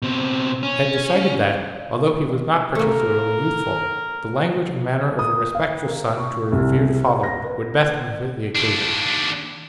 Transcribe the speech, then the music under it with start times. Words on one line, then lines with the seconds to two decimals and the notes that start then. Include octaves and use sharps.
He had decided that, although he was not particularly youthful, the language and manner of a respectful son to a revered father would best befit the occasion.
0.02 B2 C4
0.63 C#4
2.75 A3 A#3 A#4
5.19 D#6
5.55 F5
5.87 A#4
6.18 C#6
6.52 C2
7.23 A#6
7.44 B4
8.55 D#2 D4